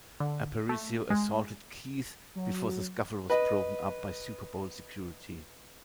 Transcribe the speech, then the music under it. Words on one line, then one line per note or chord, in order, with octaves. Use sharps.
Aparicio assaulted Keith before the scuffle was broken up by Super Bowl security.
D3
A3
G#3
F#3
B4 D#5